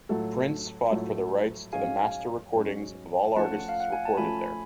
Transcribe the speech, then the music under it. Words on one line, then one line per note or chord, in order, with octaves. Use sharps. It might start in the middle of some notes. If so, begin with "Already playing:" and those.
Prince fought for the rights to the master recordings of all artists recorded there.
A2 F#3 A3 F4 A4
A2 F#3 A3 F4 A4
G#2 F#3 C#4 G#4 F5 G#5
G#2 F#3 C#4 G#4
F3 A3 C#4 F4 A4 F#5 A5
F5
F#5
G#5
A5
F3 A3 C#4 F4 A4 G#5 B5